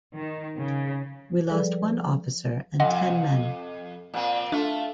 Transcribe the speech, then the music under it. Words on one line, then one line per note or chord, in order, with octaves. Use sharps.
We lost one officer and ten men.
D#3
C#3
F3 G3 G#4 A4 B4 D5
F2 D#5 F#5 C6
A#2 C4
A3 D4 F4